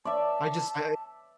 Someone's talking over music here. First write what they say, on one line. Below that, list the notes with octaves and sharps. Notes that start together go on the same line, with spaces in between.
I just I I
D5 E5 A5